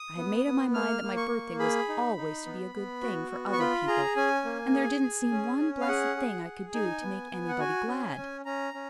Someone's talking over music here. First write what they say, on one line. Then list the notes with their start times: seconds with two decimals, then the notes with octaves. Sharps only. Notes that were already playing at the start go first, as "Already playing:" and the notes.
I had made up my mind that my birthday was always to be a good thing for other people, and there didn't seem one blessed thing I could do to make anybody glad.
Already playing: D#6
0.17 B3
0.46 B3
0.74 A#3 F6
1.03 A#3
1.17 C#6
1.30 A#3
1.59 G#4 B5
1.89 D#4
2.17 D#4
2.46 B3
2.74 B3
3.02 F#4
3.31 B3
3.53 C#6
3.59 F4 B5
3.88 G#4 A#5
4.16 C#4 G#5
4.45 A#3
4.73 G#4
5.03 G#4
5.31 C#4
5.59 C#4
5.81 F5
5.88 G#4 F#5
6.17 G#4
6.45 G#4
6.74 D#4 G#5
7.02 B3
7.32 B3
7.49 F#5
7.59 F#4 G#5
7.88 C#4
8.17 C#4
8.45 C#4 A#5
8.74 C#4